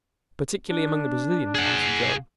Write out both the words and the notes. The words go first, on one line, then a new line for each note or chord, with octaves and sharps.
"Particularly among the Brazilians," answered Joam.
D4
G#4 F#5